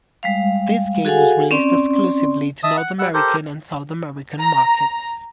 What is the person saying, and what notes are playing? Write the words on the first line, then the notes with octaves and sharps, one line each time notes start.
This game was released exclusively to North American and South American markets.
G3 G#3 F5
F#4 G#4 A4 F5 F#5 G#5
C4 C#4 D5 C6
D#5 E5 A5 D#6
F#5
G3 F#5 E6
G4 A4 A#4 C5
A#5